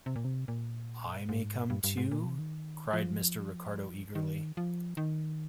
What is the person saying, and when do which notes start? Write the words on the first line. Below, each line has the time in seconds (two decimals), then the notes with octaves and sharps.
"I may come too?" cried Mr. Ricardo eagerly.
0.06 C3
0.16 A#2
0.25 C3
0.48 A#2
1.29 G#2
1.70 G2
1.84 G2
1.97 G#2
2.11 A#2
2.25 C3
2.39 D#3
2.93 F3
4.15 D#3
4.57 F3
4.97 D#3